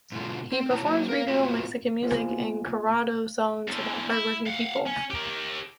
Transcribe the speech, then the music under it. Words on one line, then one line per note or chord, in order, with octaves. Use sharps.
He performs regional Mexican music and corrido songs about hardworking people.
G#2 B2 D3 G#3 F4
C4
B2 E4 C#5 A5 A#5
F#3 A#3
A#4 F5
A2 B3 F4 F#4 C5 E5
A#3 B3 F4 G#4 C5
E2 D3
E4
F5 F#5
C#4
G4 A#4